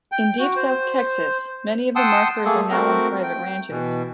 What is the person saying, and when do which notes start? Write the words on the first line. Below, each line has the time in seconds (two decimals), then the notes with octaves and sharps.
In deep South Texas, many of the markers are now on private ranches.
0.12 G5
0.39 F#4
0.56 C5
1.96 F#5 G5 A5 C6 D#6 E6
2.45 A3 A#3 G#4 A4
2.71 A3 C4 F#4 A#4
3.23 G5
3.70 B2 E3